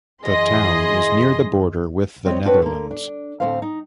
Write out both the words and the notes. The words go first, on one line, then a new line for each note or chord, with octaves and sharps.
The town is near the border with the Netherlands.
F#2 E3 G#4 D#5 C6 A#6
G3 C4 F#4 C#5 D#5
C4 D4 F#4 B4 C#5
D3 A#3
D4
D2 A2 D#3 C4 C5 F5
D#4